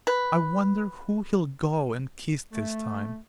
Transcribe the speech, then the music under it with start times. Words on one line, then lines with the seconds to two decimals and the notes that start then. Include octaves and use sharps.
I wonder who he'll go and kiss this time.
0.07 B4
2.52 A3